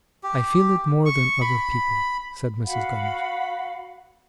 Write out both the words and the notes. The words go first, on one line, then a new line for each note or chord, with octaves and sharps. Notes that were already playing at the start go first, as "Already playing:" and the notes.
'I feel it more than other people,' said Mrs. Gummidge.
G4
C#6
B5
F#4 F5 F#5 B5